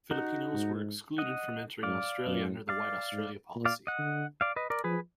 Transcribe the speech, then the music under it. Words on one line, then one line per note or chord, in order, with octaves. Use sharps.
Filipinos were excluded from entering Australia under the White Australia policy.
D#4 F#4
G#2
D#5 F#5
F#2 D5 F5
F#2
D5 F5
G#2
A#2
D5 F5
D#5 F#5
D3
D5 F5
B4 D#5
A#4 D5
F3 G#4 B4